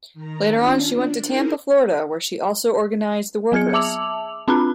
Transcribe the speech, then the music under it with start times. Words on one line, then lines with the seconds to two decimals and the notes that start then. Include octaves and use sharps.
Later on, she went to Tampa, Florida, where she also organized the workers.
0.14 D#3 A#5
0.52 C#4 D4 F4
0.83 D4
1.23 D#4 E4 G#4 A#4 C5
3.52 F#3 B3 G#4 G#6 C#7
3.73 E5 A5 D6 E6 F7 F#7
4.48 C4 D4 F4 A#5 B5 F#6